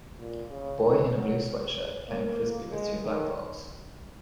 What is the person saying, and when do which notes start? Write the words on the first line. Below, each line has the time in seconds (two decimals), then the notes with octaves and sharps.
A boy in a blue sweatshirt playing Frisbee with two black dogs.
0.19 A#2
0.50 C#3
0.81 D#3
1.14 F#3
2.09 A#3
2.72 G#3
3.05 D#3